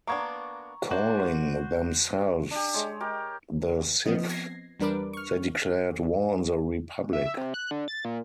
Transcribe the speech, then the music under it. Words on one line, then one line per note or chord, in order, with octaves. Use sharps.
Calling themselves the Sith, they declared war on the Republic.
A#3 B3 D4 A#5 C#6 G#6
D4 F#4 C5
D4 G4
G#3 C#5
G4 A#4 G5
F3 B3 C4 D#5
G#6 A#6 C7
E2 G3 D4 A#4 B4 D6
C#6 F6
E5
C3
F#6
D3
A6
A#2